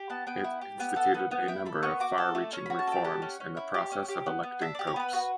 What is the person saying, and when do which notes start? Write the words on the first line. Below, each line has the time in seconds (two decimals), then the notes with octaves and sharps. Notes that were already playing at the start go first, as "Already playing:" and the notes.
It instituted a number of far-reaching reforms in the process of electing popes.
Already playing: G4
0.10 B3 A5
0.27 B3 G5
0.44 E4
0.61 G4
0.80 B3
0.96 A4 F#5
1.14 B3
1.31 B3
1.48 E4 G5
1.66 A4 B5
1.83 B3 C#6
2.00 F#4 D6
2.18 A4
2.35 A3
2.53 C#4 C#6
2.66 F#4 B5
2.79 A5
2.87 A4 G5
3.04 G4 F#5
3.22 C#4
3.40 C#4
3.57 E4
3.74 G4
3.92 C#4
4.08 G4
4.26 B3
4.43 B3
4.61 D4 E5
4.75 G4 D5
4.87 C#5
4.96 B3 B4
5.13 F#4 B4